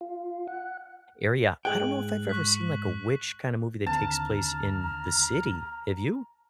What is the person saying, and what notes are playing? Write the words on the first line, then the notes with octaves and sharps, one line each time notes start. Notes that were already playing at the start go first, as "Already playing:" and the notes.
area. I don't know if I've ever seen, like, a witch kinda movie that takes place in the city. Have you?
F4
F#5
G#2 G#4 G5 F#6 F#7
C#6 F#6 B6
D#2 D3 C4 A5 A#5 F6